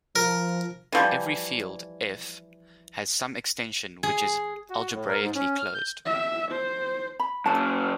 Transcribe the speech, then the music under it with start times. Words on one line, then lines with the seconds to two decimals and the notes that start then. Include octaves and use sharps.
Every field "F" has some extension which is algebraically closed.
0.16 F3 A#4
0.92 E3 F3 G3
4.03 G#4
4.70 F#4
4.93 A2
5.08 A#4
5.21 G#2
5.35 C#4
5.58 F6
5.74 G6
6.06 E5
6.52 C5
7.19 B5
7.46 F#2 C#3 A5